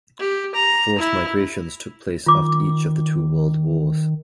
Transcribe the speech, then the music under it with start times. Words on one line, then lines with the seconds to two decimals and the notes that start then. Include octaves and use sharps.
Forced migrations took place after each of the two world wars.
0.20 G4
0.55 A#5
0.98 E4
2.26 D#3 F4 D6